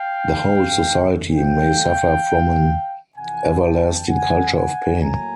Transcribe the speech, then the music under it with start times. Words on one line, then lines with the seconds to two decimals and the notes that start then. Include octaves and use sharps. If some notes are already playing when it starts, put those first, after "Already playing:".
The whole society may suffer from an everlasting culture of pain.
Already playing: F5 G5
1.30 D3 F#3 A3 F5 G5
3.15 F2 C3 E3 F#5 G#5
3.62 G5 A5
4.08 F#5 G#5
4.54 F#5 G#5
5.00 A2 F#3 A#3 G#5 A#5